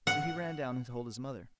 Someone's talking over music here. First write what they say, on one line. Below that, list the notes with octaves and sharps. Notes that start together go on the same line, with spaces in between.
So he ran down and told his mother.
F#5